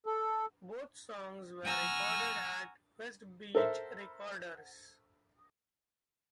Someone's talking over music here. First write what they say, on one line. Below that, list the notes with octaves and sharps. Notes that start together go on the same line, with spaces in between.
Both songs were recorded at Westbeach Recorders.
A4
F#5 G#5 A#5 C#6 E6 F6
A4 A#4 C5 E5